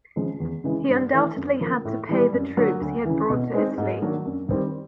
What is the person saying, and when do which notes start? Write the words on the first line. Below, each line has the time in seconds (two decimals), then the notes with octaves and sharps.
He undoubtedly had to pay the troops he had brought to Italy.
0.16 C#3 F3 G#3
0.40 E2
0.64 C#3 E3 G#3
0.89 G2
1.13 E3 A3
1.36 F#2
1.61 C#3 F3 A#3
1.85 A2
2.09 E3 G3
2.33 F#2
2.57 D3 F#3 A#3
2.81 D2
3.05 C#3 E3
3.30 B2
3.54 G#3 C4 D#4
3.78 G#2
4.02 D#3 F#3 A#3 D4
4.26 F#2
4.51 D#3 G3 C4